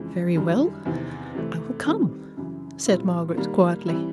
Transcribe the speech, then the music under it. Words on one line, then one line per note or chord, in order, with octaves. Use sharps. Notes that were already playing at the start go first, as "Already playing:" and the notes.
'Very well, I will come,' said Margaret, quietly.
Already playing: F2 C#3 E3 G#3
F#2 D#3 G3
E2 C3 D#3
C3 E3 A3
D#3 G3 C4
F#2 C#3 E3
A#2 G3 C4 E4
D#3 G3 A#3
E3 G3 C4 E4